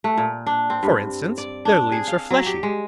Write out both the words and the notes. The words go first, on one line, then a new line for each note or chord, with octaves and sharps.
For instance, their leaves are fleshy.
A3
A#2
D4
C4
G2
D5
D4
G#4
F5
F#3
G4
G#3